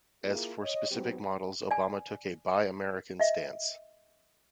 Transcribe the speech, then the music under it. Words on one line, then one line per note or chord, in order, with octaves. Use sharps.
As for specific models, Obama took a buy-American stance.
A#3 E4 F4 G#4
C#5 D#5
G#2 F#3 B3 C4 G4
D5 G#5
D#5 E5